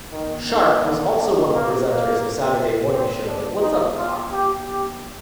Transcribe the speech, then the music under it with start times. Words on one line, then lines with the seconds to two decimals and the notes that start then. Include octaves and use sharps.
Sharp was also one of the presenters of Saturday morning show What's Up Doc?
0.12 D#3
0.48 D#3
0.82 D3
1.17 D3
1.53 A#3
1.88 A#3
2.92 C4
3.27 D4
3.62 D#4
3.97 F4
4.32 G4
4.67 G4